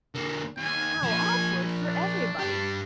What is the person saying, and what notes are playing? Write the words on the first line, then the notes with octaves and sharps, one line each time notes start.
How awkward for everybody!
D3 A#3
D#2 G#5
F3 A#3
D4
G2 G4